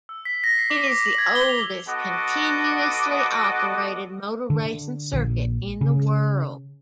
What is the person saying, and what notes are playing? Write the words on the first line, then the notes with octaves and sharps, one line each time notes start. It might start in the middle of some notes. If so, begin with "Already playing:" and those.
It is the oldest continuously-operated motor racing circuit in the world.
E6
B6
A#6
C7
D6
D6
F#7
G#6
G7
F7
B3 F#4 A4 D#5 D6
D3
A#1
C#3